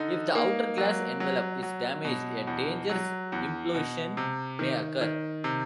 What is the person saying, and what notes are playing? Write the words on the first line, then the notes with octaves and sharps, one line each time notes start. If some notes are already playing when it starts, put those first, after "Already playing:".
If the outer glass envelope is damaged, a dangerous implosion may occur.
Already playing: D3 D#4
A#3
F#3
F#3
F#3
B2
E2
F#3
E2
B2
C3
D#3
D#3
C3